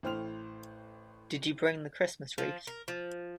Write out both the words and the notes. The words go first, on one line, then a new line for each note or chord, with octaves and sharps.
Did you bring the Christmas wreath?
A1 A2 C5 G5 F6 F7
F3
A#4
F3